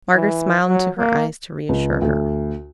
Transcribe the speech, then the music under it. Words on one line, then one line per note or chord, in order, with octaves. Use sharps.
Margaret smiled into her eyes to re-assure her.
E3
F#3
A#3
C#2
D2